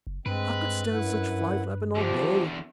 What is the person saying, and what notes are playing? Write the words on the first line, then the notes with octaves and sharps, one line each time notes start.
I could stan' such fly-flappin' all day.
F#1
G2 G#3 C4 B4
F#2 E4 F#5
E2 D3 F3 G4